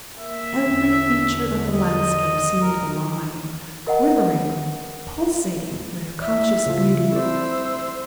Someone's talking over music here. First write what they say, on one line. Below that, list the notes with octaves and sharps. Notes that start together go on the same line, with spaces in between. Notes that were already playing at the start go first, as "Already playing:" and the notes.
Every feature of the landscape seemed alive, quivering, pulsating with conscious beauty.
A#3 E5
E2 D3
D#5
A#4
A#4 D#5 F#5
E4 D5 E5
C#3 F3 A3 F4
A3 C4 C5 D5 E6